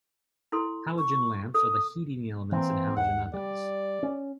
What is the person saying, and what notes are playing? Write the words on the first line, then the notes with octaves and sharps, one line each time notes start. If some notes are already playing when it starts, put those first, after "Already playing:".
Halogen lamps are the heating-elements in halogen ovens.
E4 A4 C6
C#6
A4 D#6
E3 A#3 C4
D#2 F#5
G3 D5
C#4